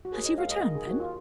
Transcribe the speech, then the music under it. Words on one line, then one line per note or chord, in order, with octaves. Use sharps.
"Has he returned then--?"
F#4
D#2 G#4
D#5
G#3 F5
D#5
D#3 D#5
G#4
D#2 F#4
F4